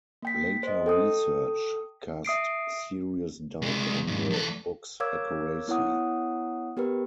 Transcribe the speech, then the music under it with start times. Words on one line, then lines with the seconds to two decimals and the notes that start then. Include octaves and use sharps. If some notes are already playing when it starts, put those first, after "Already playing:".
Later research cast serious doubt on the book's accuracy.
0.22 A#3 G5 B6
0.63 C5 D#5
0.86 A4 G5 D#6
2.25 E5 D#6 C7 D7
3.62 C2 G#3
4.07 F2 G#2
4.30 E2 A4
5.00 A#4 C#5 F5 D6 E6 G#6
5.68 B3 E4 C#5 F#5 D#6
6.77 B3 G4 A#4 B4